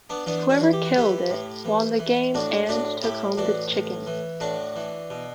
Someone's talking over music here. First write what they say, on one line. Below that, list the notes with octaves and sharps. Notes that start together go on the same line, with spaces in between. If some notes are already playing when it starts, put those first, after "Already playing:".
Whoever killed it won the game and took home the chicken.
B3 D4
E3 B3 D4
D4 F#4
E3
G4
F#4
E3 E4 G4
A2
E3
E3
A2 D4 F#4
A2 D4 F#4
A2 E4 G4
E3 D4 F#4
A2
E3
A2 D4 F#4
E3
B2